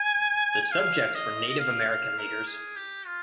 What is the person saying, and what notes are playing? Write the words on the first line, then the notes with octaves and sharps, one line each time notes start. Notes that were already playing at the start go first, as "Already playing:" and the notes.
The subjects were Native American leaders.
Already playing: G#5
F5
D#5
D#5
F5
F5
A#4
G#4
G4
F4